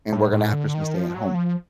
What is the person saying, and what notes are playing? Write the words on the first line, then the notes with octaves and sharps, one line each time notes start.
and we're gonna have Christmas Day at home.
A2
A2
D3
D#3
F3
F#3
F3